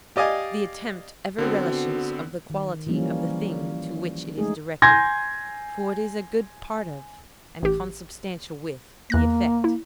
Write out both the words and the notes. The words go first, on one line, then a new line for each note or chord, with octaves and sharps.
The attempt ever relishes of the quality of the thing to which it is directed, for it is a good part of, and consubstantial with, the effect.
G4 D5 D#5 F5 G#5
D3 B3 C4 F#4
D#3
E3 F3 G3 A#3 C#4
G#3 A3 D#4 G#4
G#5 C6 G6 G#6 A#6
A1 G4
E2 A#3 F#6 A#6
E4